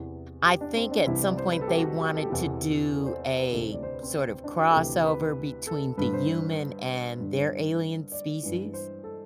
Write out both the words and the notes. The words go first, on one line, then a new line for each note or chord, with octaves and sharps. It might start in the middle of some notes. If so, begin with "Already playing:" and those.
I think at some point they wanted to do a sort of crossover between the human and their alien species,
Already playing: E2 C3 E3
G4
D4
C4
D4
C2 C3 E3 E4
D5
C5
B4
A4
G4
F#4
G4
G4
A4
G4
E2 C3 E3 A4
A4
D5
C5
C5
B4
D2 C3 E3 A4
C5
D5
C5
B4
C4
D4
F#4
A4
D2 C3 E3 G4
B4
A4
G2 D3 B4
C5
G2 D3
C5
D5
G2 E3
C5
A4